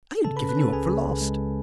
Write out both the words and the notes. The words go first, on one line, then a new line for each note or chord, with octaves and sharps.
I had given you up for lost.
C#3 A4 A5
B4 B5
C#4
B4 B5
C#4 A4 A5
C#2 G#4 G#5
C#3
C#2
G#3